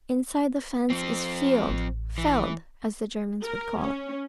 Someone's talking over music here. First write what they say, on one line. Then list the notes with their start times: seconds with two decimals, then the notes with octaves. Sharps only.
Inside the fence is Field--"Feld," as the Germans would call it.
0.90 F3 C4
1.69 A1
2.18 E3
3.43 A#4
3.80 C#4